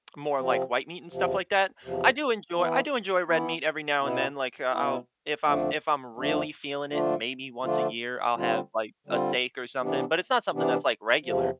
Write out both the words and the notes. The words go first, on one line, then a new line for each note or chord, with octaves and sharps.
more, like, white meat and stuff like that. I do enjoy I do enjoy red meat every now and then, like, uh, I'll if I'm if I'm really feeling it, maybe once a year, I'll have, like, a steak or something, but it's not something that's, like, regular.
C3 F3 C4
E2 C3 F3
E2 C3 F3
E3 B3 E4
E3 B3 E4
B2 B3 E4
B2 B3 E4
F2 D3 F3 A3 D4
F2 D3 F3 A3 D4
D3 F3 A3 D4 F4
D3 F3 A3 D4 F4
D3 G3 C4 F4
D3 G3 C4 F4
C3 E3 B3 D4
C3 E3 B3 D4
E2 C3 F3